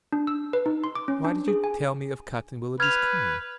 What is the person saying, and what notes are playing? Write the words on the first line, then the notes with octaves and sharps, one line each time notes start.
Why did you tell me of Captain Willoughby's coming?
D4
E6
B4
D#4
C6
D6
C#4
D4
G#4
G#5
B4 F6 G#6 F7